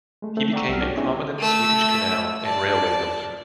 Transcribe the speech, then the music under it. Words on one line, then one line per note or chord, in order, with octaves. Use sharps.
He became a prominent Swedish canal and railway builder.
G#3 A3
A3 C4
D5 F#5 G5 A#5 C#6 E6
C2 F#3 B3 F6
D4 F#4 C#5 G5
B3 C#4 D#4 E4 G#4 E5
A3 E6
D5 A5